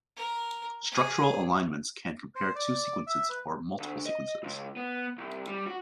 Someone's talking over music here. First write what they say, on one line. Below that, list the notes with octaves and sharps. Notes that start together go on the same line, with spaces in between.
Structural alignments can compare two sequences or multiple sequences.
A#4
G#4
C5
D5
E5
B4
D2
D#5
C#2
B3
C2
G3
F#4